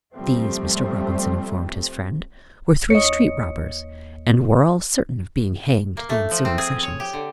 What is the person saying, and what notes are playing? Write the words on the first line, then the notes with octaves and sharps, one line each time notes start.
These, Mr. Robinson informed his friend, were three street-robbers, and were all certain of being hanged the ensuing sessions.
C3 F3 G3 A3 C4
D#2 C#5 D#5 C#7
A#3
A3
F3
C4
G#4
C#5
G4
D3